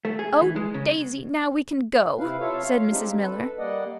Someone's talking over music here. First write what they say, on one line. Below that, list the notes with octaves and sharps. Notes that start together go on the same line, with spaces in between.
"Oh, Daisy; now we can go!" said Mrs. Miller.
A3
G#4
E3
G#3
C#3
C3 E4 B4 F5
F4 A4 C#5 E5 F5
C#5 F5
G#3 C4 D4 D#4 F4 G4
A4 B4
G3 A#3 D5 D#5 F#5